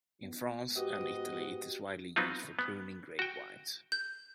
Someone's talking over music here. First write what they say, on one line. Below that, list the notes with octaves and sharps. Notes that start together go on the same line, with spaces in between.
In France and Italy it is widely used for pruning grape vines.
B3
G#2 B3 F#4 G4 D#5
F#3 B3 C4 D#4 F4
B3
F#4 G5
G6